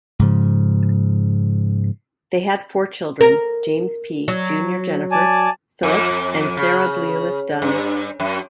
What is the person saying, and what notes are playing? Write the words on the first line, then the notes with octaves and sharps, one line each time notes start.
They had four children: James P., Junior Jennifer, Philip, and Sarah Bliumis Dunn.
G#2 C#3 F3
A#4
F#3
D5 G#5 A5
F2
C#3
G2
F#2